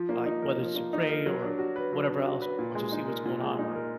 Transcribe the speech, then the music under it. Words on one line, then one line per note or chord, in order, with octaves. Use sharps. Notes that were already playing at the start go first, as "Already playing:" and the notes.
like, whether it's to pray or whatever else or to see what's going on or
Already playing: F3
A#3
D#4
A#4
F3
A#3
D#4
A#4
F#3
D4
F#4
B4
F#3
D4
F#4
B4
A#2
G#3
D#4
A#4
A#2
G#3
D#4
A#4